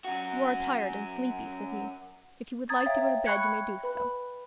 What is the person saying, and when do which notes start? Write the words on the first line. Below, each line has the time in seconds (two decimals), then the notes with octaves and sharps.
"You are tired and sleepy," said he; "if you would like to go to bed you may do so."
0.05 F#2 F#4
2.69 A#5 D#6 G#6 A6
2.86 C#5 E5 F5 G5 A#5
3.26 G5 B5 C#6 F#6 G#6 C#7
3.83 B4 B5